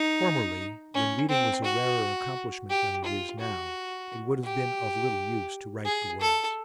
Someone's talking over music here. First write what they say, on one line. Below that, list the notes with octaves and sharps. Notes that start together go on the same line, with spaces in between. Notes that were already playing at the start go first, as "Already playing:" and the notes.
Formerly, when reading was a rarer accomplishment than it is now, it would have been of little use to write the words.
Already playing: D#4
C#4
C4
F#4
G4
F4
F#4
G4
G#4
A4